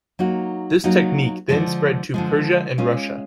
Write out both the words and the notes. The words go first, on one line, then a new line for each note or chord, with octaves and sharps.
This technique then spread to Persia and Russia.
F#3 A#3 D#4 F#4
F#3 A#3 D#4 F#4
D3 F3 G#3
D3 F3 G#3
G#3 C#4 F4